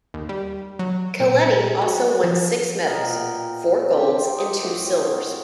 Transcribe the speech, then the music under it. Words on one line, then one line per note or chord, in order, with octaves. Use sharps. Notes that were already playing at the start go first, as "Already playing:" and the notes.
Keleti also won six medals: four golds and two silvers.
D#2
G3
F#3
A#2
F#3
F3
B2 F#4 A#4
A#2 G5
C4 G4
D#5
A2 F#4